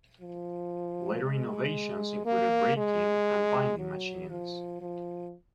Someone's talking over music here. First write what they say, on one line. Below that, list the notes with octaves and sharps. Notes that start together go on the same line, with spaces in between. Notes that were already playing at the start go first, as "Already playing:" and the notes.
Later innovations included raking and binding machines.
F3
G#3
A#3
G#3
F#3
F3
F3